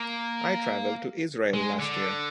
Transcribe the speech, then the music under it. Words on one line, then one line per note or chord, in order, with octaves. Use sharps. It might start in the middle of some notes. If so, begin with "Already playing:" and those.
I traveled to Israel last year.
Already playing: A#3
G#3
D3